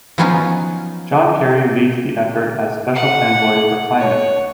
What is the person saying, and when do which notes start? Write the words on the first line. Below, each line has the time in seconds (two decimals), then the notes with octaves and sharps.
John Kerry leads the effort as Special Envoy for Climate.
0.18 F3 F#3 B3 C#4 D#4 F4
2.95 F#5
3.97 C#5